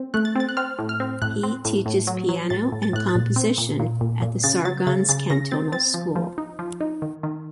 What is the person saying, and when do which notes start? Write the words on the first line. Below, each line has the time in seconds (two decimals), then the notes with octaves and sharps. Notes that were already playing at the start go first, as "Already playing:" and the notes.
He teaches piano and composition at the Sargans Cantonal School.
Already playing: C4
0.14 A3 F#6
0.25 A6
0.36 C4 A6
0.49 F#6
0.57 C4 F6
0.79 A2
0.89 F6
1.00 C4
1.22 A2 F#6
1.43 C4
1.65 A2
1.86 A2
2.07 F#3
2.29 F#3
2.50 A2 A6
2.72 A2
2.83 A6
2.93 A2 F#6
3.09 A6
3.15 A#2
3.36 C4
3.58 A#2
3.80 A#2
4.01 A#2
4.22 A#2
4.43 C#3 A6
4.65 F#3 A6
4.87 C#3 A6
5.08 C#3 A6
5.30 C#3 A#6
5.51 C4 A6
5.72 C4 A6
5.94 F3
6.16 F3
6.38 D#4
6.59 F3
6.81 D#4
7.02 D#3
7.23 D#3